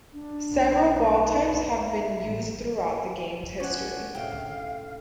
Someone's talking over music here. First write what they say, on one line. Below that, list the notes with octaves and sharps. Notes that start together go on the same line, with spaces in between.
Several ball types have been used throughout the game's history.
D4
B1 B3
D#4
E5
A1
G#3 C#4 D4 F#5
A2 C3 F5 G5